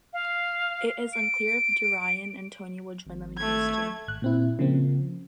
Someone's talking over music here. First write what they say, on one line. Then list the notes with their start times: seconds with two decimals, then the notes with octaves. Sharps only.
It is unclear if DuRyan and Tony will join them in Houston.
0.13 F5
1.13 D7
3.06 G#1
3.37 A3 G#6
4.07 G#1 F#6
4.22 A#2 C4 E4
4.59 C#3 F3 A#3 C4